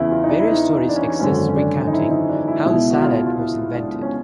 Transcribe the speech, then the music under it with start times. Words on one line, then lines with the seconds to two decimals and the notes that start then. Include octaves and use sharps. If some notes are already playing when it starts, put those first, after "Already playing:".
Various stories exist recounting how the salad was invented.
Already playing: E2 C#3 E3 E4
0.11 F4
0.23 D#4
0.29 D4
0.39 E4
0.48 D#4
0.89 D4
0.96 C#4
1.20 G#1 F#2 D3 C#4
1.49 C#4
1.56 D4
1.87 D#4
1.93 E4
2.11 D#4
2.29 D4
2.48 E4
2.65 C#2 B2 E4
2.91 F#4
3.02 F4
3.27 F4
3.39 E4
3.75 D4
4.02 C#4